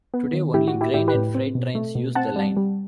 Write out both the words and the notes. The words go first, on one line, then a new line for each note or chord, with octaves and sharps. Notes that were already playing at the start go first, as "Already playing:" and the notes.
Today, only grain and freight trains use the line.
B3
D#3
A2 E4 G4
F#4
A2
E4 G4
A2 E4 G4
G4 B4
A2
C4
B2
A3
B2
C4 F#5 A5
G3
G3